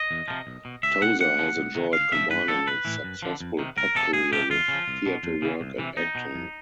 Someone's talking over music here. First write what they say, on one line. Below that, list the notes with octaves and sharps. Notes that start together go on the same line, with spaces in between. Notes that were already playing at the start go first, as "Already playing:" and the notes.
Tozer has enjoyed combining a successful pop career with theatre work and acting.
Already playing: D#5
E2
C3 F3
B1
B2
C#2 E5
B2 F#5
E2 F#5
C#3 F3
C2
C3 D#3
D2 F5
C3 F3 E5
G2 B4
D3 F3 A4
B1 B4
A2 E3
F#2
D3 F3
F2
C3 D#3
C2 A#4
C3 F3 A4
C#2 G#4
C3 F3 G4
E2 F4
C#3 F3
C2
B2
F2
C#3 E3
C2
C3 E3
E2 D#4
B2
F2